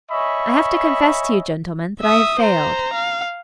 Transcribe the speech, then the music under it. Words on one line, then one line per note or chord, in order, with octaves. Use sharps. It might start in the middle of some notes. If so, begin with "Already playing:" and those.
I have to confess to you, gentlemen, that I have failed.'
C#5 D#5 E5 G#5 B5 C#6
E5 D#6
C5 A#5
F5